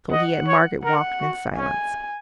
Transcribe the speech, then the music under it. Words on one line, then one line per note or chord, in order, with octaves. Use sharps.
So he and Margaret walked in silence.
D#5 F#5
C#5
A#4 F#5
F#4
C#4 G#5